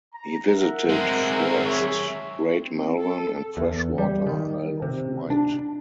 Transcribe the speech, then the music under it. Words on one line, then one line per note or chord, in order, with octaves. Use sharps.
He visited first Great Malvern and Freshwater, Isle of Wight.
A#5
A#4 E5 F#5
G#3 C4
C#5 E5
C4
A4
E2
G3
D#3
C3
D4